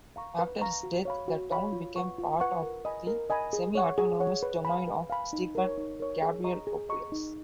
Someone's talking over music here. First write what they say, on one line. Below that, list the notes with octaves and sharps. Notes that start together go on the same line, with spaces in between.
After his death, the town became part of the semi-autonomous domain of Stephen Gabrielopoulos.
F5 A#5 C#6
B4
F5 A#5 C#6
F#4
C#5 F5 B5
F#4
C#5 F5 B5
F4
B4 F#5 C#6
F4
B4 F#5 C#6
A#4
D#5 G#5 B5
A#4
D#5 G#5 B5
G#4
C#5 F#5 C#6
G#4
C#5 F#5 C#6
B4
F5 G#5 B5
B4
F5 G#5 B5
D#4
A#4 C#5
D#4
A#4 C#5
G#4
D#5 A#5 C#6
G#4
D#5 A#5 C#6
D#4